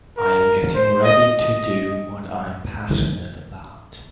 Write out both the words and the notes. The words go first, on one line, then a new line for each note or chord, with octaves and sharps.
I am getting ready to do what I am passionate about.
A#4
C5
D#5
D#5